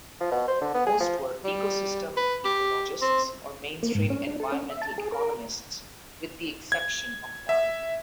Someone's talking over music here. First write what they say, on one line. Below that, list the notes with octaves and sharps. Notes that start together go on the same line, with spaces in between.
Most were ecosystem ecologists or mainstream environmental economists, with the exception of Daly.
F3
B2
C5
D3
B3
G#4
F3
G3
B4
G4
C4
A#3
G#2
C#4
D4
A4
C#4
E5
A5
G#4
A#4
G#6
E5